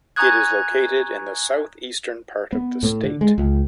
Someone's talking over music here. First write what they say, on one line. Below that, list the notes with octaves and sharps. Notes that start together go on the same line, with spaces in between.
It is located in the South Eastern part of the state.
G#5 A#5 C#6 D#6 F#6 G#6
B3
A2
D3
G#3
C#2